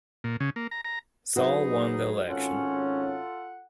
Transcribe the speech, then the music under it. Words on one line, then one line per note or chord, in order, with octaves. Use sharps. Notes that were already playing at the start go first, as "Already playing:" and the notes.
Sall won the election.
A#2
C#3
A#3
A#5
A#5
F#3 D#4 F#4 G#4 B4 C5
G#1 C#4 F4 A4 F#5